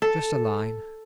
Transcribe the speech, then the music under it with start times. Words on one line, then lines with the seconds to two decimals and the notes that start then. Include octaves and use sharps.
Just a line.
0.02 A4